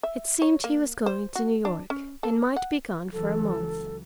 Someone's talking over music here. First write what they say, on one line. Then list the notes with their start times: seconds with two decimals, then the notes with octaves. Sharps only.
It seemed he was going to New York, and might be gone for a month.
0.03 E5
0.42 C#5
0.64 A#3
1.06 C5
1.36 F#4
1.65 D4
1.90 C#4
2.23 A4
2.56 F#5
3.13 C#2 E3 F#3 A4